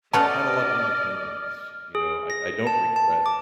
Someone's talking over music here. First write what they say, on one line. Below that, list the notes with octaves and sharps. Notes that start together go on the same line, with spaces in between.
I had a lot of independence, you know, I I don't regret
A3 B3 C#4 D5 D#5 A5 F6
G#4
A#6
A5
A5
D6